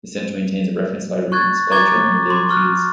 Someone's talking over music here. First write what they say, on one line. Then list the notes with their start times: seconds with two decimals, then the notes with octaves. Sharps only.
The Center maintains a reference library on sculpture and related fields.
1.32 C#6 F#6 G#6 A6
1.71 A#5 C#6 D6 G#6 A6 G7
2.30 C6 D6 G#6
2.49 C#6 F6 F#6